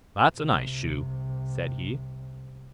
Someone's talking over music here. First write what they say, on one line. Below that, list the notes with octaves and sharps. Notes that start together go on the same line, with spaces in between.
'That's a nice shoe', said he.
C2 C3